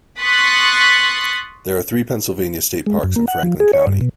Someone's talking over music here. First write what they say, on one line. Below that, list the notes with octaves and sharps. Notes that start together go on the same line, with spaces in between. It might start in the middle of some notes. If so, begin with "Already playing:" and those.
There are three Pennsylvania state parks in Franklin County.
C6 C#6 D#6 F#6 A6 B6
G#3
F#2
A#3
F#5
F3
G#4
C#5
G2
B2